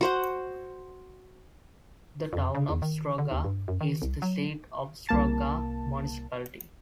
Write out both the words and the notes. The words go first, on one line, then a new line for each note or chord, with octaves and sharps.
The town of Struga is the seat of Struga Municipality.
F#4 C5 F#5
F2
C#3
E2
D#3
D3
D#2
G2
F#2
D#3
C2
F#3
C2 A#3 A5